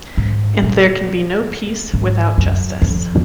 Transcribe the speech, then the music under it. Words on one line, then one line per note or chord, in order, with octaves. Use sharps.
And there can be no peace without justice.
G#2
A#2
G#2
F#2
F2